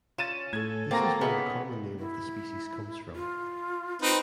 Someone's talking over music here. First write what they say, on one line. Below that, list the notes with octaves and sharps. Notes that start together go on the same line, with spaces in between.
This is where the common name of the species comes from.
C#4 F4 A6 D#7 E7
A2 A4 G#6
A#3 C4 F#4 A#5 A6 A#6
C#3 B3 D#4 E5 G#5
E4
F4
C4 D#4 B4